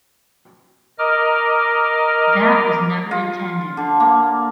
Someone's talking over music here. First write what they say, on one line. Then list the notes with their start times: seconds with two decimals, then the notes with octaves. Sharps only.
That was never intended.
0.99 A#4 D#5 D6 F6
3.11 F4
3.77 D3
4.00 A#3